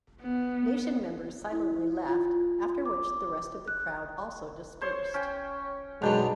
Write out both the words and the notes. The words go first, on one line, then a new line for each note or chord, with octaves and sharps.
Nation members silently left, after which the rest of the crowd also dispersed.
B3
E4
F4
D6
F#6
C5 C#5 C6
C#4 G5
B1 F#2 F#3 G#3 B3 D4 G5